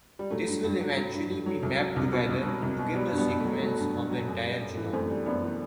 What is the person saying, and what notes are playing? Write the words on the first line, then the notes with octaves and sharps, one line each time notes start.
This will eventually be mapped together to give the sequence of the entire genome.
G3
F#3 A3
G2
G2
F#3
F#3
G2
G2
F#3
C2
F#3
C2
B2
C2
F#3
C2
B2
F#3 G3 B3
G2
G3 B3
G2 B3
A3
F#3
F#3 A3
G2
G2
F#3
F#2
G3
F#2
E3
F#2 A3 C4
G3
F#2 B3 D4
E3